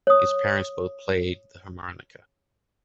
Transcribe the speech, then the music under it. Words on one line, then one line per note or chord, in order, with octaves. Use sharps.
His parents both played the harmonica.
C#5 D#6